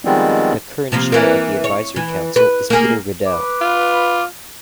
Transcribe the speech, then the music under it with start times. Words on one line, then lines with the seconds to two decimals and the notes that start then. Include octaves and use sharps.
The current Chair of the Advisory Council is Peter Riddell.
0.05 D#3 F3 G3 G#3 B3 C4
0.92 C3 F3 A#3
1.12 E3 A#3
1.64 C#5
1.96 E3
2.36 B4
2.70 A#3 G#4
3.26 B4 D6
3.61 F4